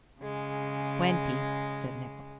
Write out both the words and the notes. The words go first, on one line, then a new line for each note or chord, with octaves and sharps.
"Twenty," said Nicholl.
C#3 G#3